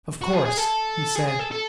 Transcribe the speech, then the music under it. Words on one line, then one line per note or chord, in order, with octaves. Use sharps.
"Of course," he said.
F#4
G#4
G#4
A4
G#4
G#4
A4
A4